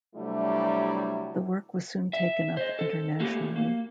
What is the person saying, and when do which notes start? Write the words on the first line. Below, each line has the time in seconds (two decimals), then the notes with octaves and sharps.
The work was soon taken up internationally.
0.16 C3 F#3 G3 A3 D4 E4
2.13 E5
2.57 C5 D#5
2.79 A4
3.20 A3 A#3 F#4 G4
3.56 A#3